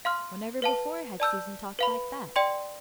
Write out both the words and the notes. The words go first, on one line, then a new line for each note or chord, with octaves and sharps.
Whenever before had Susan talked like that?
F5 C6 F6
B4 F5 A5
D5 A5 E6 G6
B4 F5 B5
D5 G5 C6